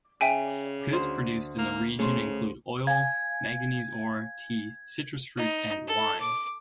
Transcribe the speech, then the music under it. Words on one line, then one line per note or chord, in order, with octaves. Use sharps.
Goods produced in the region include oil, manganese ore, tea, citrus fruits, and wine.
C#3 E5 G5 G#5
D2 C5
A#3
C#3 A3 C5
F5 G#5 G#6
D#4
A4
D6